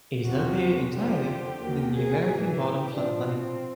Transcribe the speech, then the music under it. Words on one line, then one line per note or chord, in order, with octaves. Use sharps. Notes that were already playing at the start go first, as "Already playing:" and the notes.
It is located entirely within the American Bottom floodplain.
E2 C3 F3 F#4
F2 D3 F3 G4
D#2 D#3 F#3
G#4
A2 E3
G4
A2 F3 D4
C4